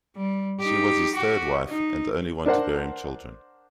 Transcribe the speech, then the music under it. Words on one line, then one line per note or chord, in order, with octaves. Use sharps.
She was his third wife and the only one to bear him children.
G3
D#4 G4
F#4 G4
D#4
D4 A#4 C5 F#5